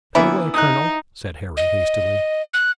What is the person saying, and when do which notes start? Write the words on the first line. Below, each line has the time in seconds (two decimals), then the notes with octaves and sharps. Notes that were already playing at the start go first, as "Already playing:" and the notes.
"Come away, colonel!" said Harry hastily.
0.15 D3 E3 A#3 B3 B4 E5
0.54 D#4 D#6 F#6
1.57 D#5
2.54 F#6